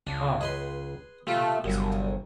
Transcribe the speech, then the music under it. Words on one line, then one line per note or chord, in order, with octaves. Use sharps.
"How?" I asked.
C#2 D4
G#4 B4 C6
C3 A3 F4
G1 C2 F#2